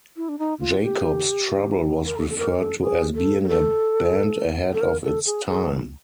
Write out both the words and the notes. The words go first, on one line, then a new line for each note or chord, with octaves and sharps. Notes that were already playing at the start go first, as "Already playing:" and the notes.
Jacob's Trouble was referred to as being a band ahead of its time.
E4
D4
D#4
F4
G4
A#4
A4
A4
A#4
A4
G#4
A4
A#4
A4
A4
A#4
A4
G#4
G#4